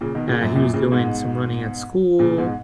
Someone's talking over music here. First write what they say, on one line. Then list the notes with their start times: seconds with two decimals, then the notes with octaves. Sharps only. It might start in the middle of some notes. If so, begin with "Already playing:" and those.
Uh, he was doing some running at school,
0.01 A#2 C#3
0.15 B2 D#3
0.28 A#2 C#3
0.41 F#2 A#2
0.56 F#2 A#2
0.73 A#2 C#3
0.92 G#2 B2
2.19 A#2 C#3
2.37 G#2 B2